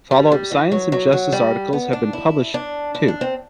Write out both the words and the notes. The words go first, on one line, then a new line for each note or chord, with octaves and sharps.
Followup "Science and Justice" articles have been published, too.
G3
G3
E3
F#3
F#3
F#3
G3
B3
D4
E4
D4
E4
D4
C4